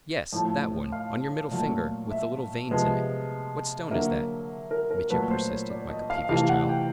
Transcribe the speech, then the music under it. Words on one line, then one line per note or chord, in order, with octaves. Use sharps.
"Yes, that one ... on your middle finger, with the little veins in it, what stone is that?" Mitya persisted, like a peevish child.
A2 F3 A3
F5
A#2 F#3 A3
E5
C3 F3 G#3 B3
D3 F#3 A#3 E5
A#4
A#4
A#2 F#3 A3 B4
C5
C#5
D5
D#5
F5
C3 E3 A3 F5
F#5
G5